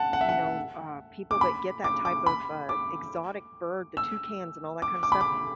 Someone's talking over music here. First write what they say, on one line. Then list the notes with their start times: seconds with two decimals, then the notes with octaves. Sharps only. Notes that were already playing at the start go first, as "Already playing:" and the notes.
you know, uh, people that get that type of, uh, exotic bird, the toucans and all that kinda stuff,
Already playing: F#5 A5
0.13 F#5
0.21 E5
0.29 F#5
1.31 D6
1.41 B5
1.84 D6
2.05 D6
2.26 B5
2.69 D6
3.97 E6
4.82 D6
5.03 D6
5.12 B5
5.21 D6